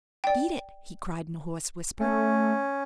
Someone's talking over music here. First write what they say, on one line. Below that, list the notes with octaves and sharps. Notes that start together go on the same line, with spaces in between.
"Beat it!" he cried in a hoarse whisper.
D5 G5
A3 C#4